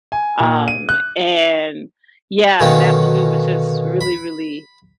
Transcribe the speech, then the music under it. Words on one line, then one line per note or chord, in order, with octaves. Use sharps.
Um, and yeah, that movie was just really, really,
G#5
A#2
D#7
F#6
B2 D3 D#3 A#3 C#4
B5